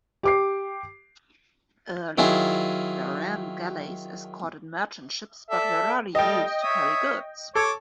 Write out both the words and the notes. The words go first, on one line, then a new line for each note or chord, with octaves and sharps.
Early bireme galleys escorted merchant ships but were rarely used to carry goods.
G4 D6 C7
D#3 F#3 E4 F4 G#4
A4 D5 E5
G3 A3 G4 D#5 G5
C#5 E5 D#6
A4 C#5 D6